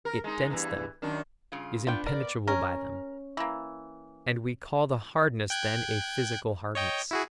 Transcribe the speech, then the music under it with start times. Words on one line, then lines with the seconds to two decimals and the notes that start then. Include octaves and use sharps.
It dents them; is impenetrable by them; and we call the hardness then a physical hardness.
0.05 A#4
0.24 G#3 D#4
0.50 E2 G2 E3
1.02 F#2 D#3 D4
1.52 G2 C#3 F4
1.87 B3 D4 F4 G5
2.06 A#4 D5
2.48 C#4 A#4
3.37 E3 A#3
5.50 G5 F#6 G#6
6.75 C#5 D#5 G5
7.11 E4 F#4 G#4